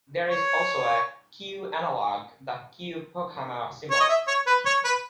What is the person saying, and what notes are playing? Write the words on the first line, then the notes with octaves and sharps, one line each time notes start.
There is also a "q"-analogue, the "q"-Pochhammer symbol.
C#5
C#5
D#5
E5
C#5
B4
C#5
B4